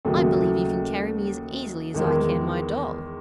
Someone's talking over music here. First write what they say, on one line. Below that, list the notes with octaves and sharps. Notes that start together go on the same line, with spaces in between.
"I believe you can carry me as easily as I can my doll."
D#2 C#3 F#3 A3
E2 D#3 G#3